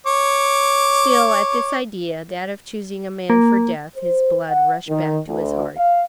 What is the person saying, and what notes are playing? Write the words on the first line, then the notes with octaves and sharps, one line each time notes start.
Still, at this idea, that of choosing a man for death, his blood rushed back to his heart.
C#5 D6
A#3
C5
F#5
D#3
D2
F5